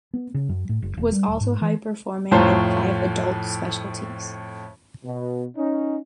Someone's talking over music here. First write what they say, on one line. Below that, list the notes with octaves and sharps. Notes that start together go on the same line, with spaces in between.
It was also high-performing in five adult specialties.
B3
C#3
F#2
A2
F#1
E1
G3
D#1
G#2
E3
F2 A2 F4 C5 C#5 A#5
B2
C#4 D#4